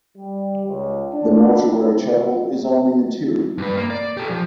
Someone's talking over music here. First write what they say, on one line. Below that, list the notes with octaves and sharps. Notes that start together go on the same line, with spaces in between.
The mortuary chapel is on the interior.
G3
C#2
D4
C3
G2 B4
A#3
D5
G4 A4
F3